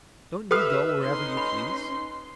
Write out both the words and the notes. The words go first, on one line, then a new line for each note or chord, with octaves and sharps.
"Don't you go wherever you please?"
G4 A4 B4 E5 D#6 F6 C7
C#4 D#4 C6
B5